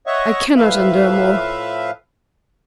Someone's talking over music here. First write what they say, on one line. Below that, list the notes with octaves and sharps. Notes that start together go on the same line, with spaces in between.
I cannot endure more!
C#5 D#5 E5 F#5 C#6
A2 F3 B4 E5 F5